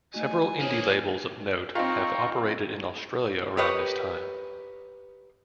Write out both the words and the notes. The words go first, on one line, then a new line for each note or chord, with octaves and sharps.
Several indie labels of note have operated in Australia around this time.
A3 D#4 F#4 D#5 G#5
A#3 D4 G#4 A4 C5 C#5
C4 D#4 F4 G5 A#5 C#6
G4 A#4 B4 C#5 D#5